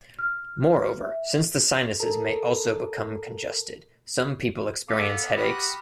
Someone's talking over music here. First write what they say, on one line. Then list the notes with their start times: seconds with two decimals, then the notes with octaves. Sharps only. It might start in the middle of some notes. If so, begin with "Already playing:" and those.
Moreover, since the sinuses may also become congested, some people experience headaches.
0.19 F6
1.01 E5
2.00 A4 A#4 A5 A#5
4.89 B3 A4 F5 D6 A#6 B6
5.37 F#4 G4 B5 D6 D#6 F6 F#6